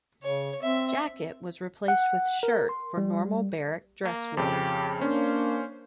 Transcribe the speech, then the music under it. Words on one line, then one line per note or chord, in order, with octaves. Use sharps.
Jacket was replaced with shirt for normal barrack dress wear.
C#3 C#5
C4 E5
F#5
A#4
C6
G3
A#3
F2 C#3 G4
A#3 C#4 D4 C5